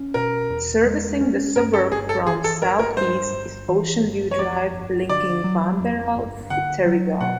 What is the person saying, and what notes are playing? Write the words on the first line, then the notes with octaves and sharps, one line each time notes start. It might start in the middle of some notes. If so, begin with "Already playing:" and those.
Servicing the suburb from the south-east is Ocean View Drive, linking Wamberal to Terrigal.
Already playing: C#4
B2 A#4
E2
G#3
C#4
G2 A#4
A4
G1 G#4
A4
E3 G#4
A4
G1 A#4
A#4
G2 C5
G1
E3
G1
C#5
F2 D5
G1
D3 D5
F#3
F2
G1
D3 F#5
F#3
B2 F#5